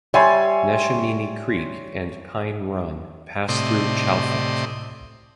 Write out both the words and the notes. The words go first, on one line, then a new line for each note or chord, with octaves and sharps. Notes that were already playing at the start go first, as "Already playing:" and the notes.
Neshaminy Creek and Pine Run pass through Chalfont.
G3 C#5 E5 G#5 C6
A2 C3 D5 D#5 C6